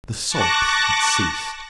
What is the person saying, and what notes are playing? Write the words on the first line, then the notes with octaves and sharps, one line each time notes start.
The sobs had ceased.
A5 C#6 D6 F#6 A#6